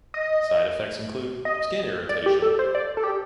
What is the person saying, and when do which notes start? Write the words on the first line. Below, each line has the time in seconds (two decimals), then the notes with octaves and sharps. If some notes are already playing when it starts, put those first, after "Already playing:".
Side effects include skin irritation.
0.14 D#5
1.45 D#5
2.09 D5
2.26 G4
2.42 A4
2.59 C5
2.75 D5
2.97 A4
3.04 G4